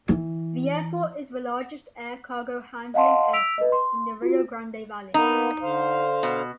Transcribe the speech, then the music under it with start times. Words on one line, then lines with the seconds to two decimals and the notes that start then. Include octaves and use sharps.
The airport is the largest air cargo handling airport in the Rio Grande Valley.
0.09 E3
2.94 D#5 F5 F#5 A5 C6
3.33 E6 B6 D7 F7
3.58 B4 D#5
3.72 C6
4.22 F4 F#4
5.14 A#3 B3 D#4
5.62 D3 C5 F5
6.23 B2